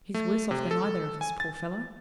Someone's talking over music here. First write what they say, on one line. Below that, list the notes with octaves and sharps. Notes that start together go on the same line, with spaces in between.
He's worse off than either of us, poor fellow.'
A3
C3
A4
G#5
A6